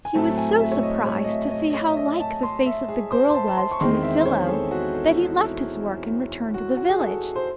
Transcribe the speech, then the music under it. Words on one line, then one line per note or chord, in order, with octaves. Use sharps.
He was so surprised to see how like the face of the girl was to Masilo, that he left his work and returned to the village.
G#5
A2 F#3 A3 C4 A5
G#5
E5
C#5
D#5
C#5
D#5
E5
D#5
D#5
C#5
E5
D#5
A5
C6
E5
G#4
C5
C6
A5
A5
C6
C#6
E2 D#3 G#3 C4 C6
E5
C5
C#5
G#4
A4
F#4
A4
F#4
E4
F#4
F#4
G#4
A4
C5